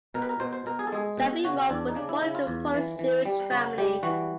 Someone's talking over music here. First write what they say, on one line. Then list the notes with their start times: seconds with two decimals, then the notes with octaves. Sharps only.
Shafirov was born into a Polish Jewish family.
0.14 B2 A#4
0.22 B4
0.29 A#4
0.40 B2 C5
0.53 C5
0.66 B2 A#4
0.79 G#4
0.87 A4
0.92 G#3 G#4
1.17 B2
1.44 C#3 F#4
1.70 E2 D4
1.89 D#4
1.95 C#3 D4
2.09 E4
2.21 C#3 E4
2.35 F4
2.47 E2
2.74 E3
2.99 E3
3.25 G3
3.51 C#3 F#4
3.78 G3 G4
4.03 E3 F#4